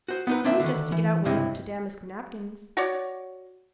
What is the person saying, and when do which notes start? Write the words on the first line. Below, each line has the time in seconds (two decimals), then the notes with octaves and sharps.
'Only just to get out one of t' damask napkins.'
0.08 F#4 C5
0.27 B3 D#4 B4
0.44 A#3 C4 D4 D5 E5
0.60 D3 D#3
0.92 E3
1.25 C#2 G2 C3 C4 E4 D#5
2.77 F#4 C#5 D5